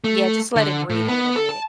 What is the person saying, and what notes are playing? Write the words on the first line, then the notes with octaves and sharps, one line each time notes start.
Yeah, just let it breathe a little bit.
A3
D3
A2
B3
A4
A5